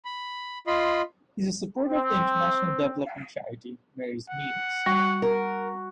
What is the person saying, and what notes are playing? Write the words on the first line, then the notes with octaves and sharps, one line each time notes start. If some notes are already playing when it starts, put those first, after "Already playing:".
He is a supporter of the international development charity Mary's meals.
B5
F4 D#5 B5 C6
C4
F#5
G3 F#4
A#4